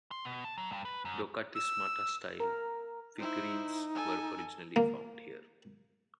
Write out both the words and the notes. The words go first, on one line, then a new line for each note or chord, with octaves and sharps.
'Dokathismata style' figurines were originally found here.
C6
B2
A5
F#3
G2
B4
F#2
E6
A#4
D#4 E4 C5
A4 G#5
A#3